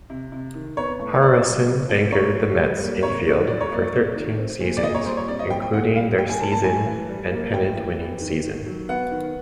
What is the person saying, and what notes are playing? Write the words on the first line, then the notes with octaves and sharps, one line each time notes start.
Harrelson anchored the Mets' infield for thirteen seasons, including their season, and pennant-winning season.
C3
C3
D#3
B3 C#5
A2
A2 D5
F#3
B3
A2
A2 C#5
F#3
G3
A#3
C3 C#5
D#3
G3 D5
C#5
A#3 D5
C3
D#3
C4
A#2
D5
A#2 D#5
C#5
G3 C5
C#5
C4 D5
D#5
A#2 G5
G5
A#2 F#5
G3 F5
G3 G5
G#5
A#3 A5
A5
A2 G#5
E3
G3
A#3
A2 G5
E3
B3
D#3
D#3
F#3
B3 F#5
D#3